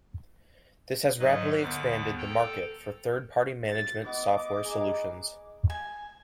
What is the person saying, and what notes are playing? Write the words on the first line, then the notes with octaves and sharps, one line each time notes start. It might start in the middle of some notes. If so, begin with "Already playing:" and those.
This has rapidly expanded the market for third-party management software solutions.
G#2 F#3 B4 D#5
D#2 D3 B3 D6
A4 G5 A#5
A6
B3 D#5 D6
D#4 G#4
G#5